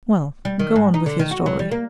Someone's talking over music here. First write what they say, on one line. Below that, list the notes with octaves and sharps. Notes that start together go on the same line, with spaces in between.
"Well, go on with your story."
G3
D#3
G#2
D#4
D3
D#3
F#4
F#3
G3
A#3